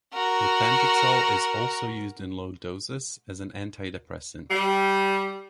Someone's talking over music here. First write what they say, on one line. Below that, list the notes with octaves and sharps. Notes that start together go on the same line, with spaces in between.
Flupentixol is also used in low doses as an antidepressant.
F#4 A#4
G3